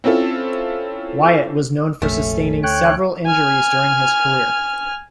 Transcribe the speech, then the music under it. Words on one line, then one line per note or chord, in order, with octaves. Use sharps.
Wyatt was noted for sustaining several injuries during his career.
C4 C#4 E4 F4 A4
F1 A#1 A3 C#4
D2 C#5 G5 F#6
G#5 F6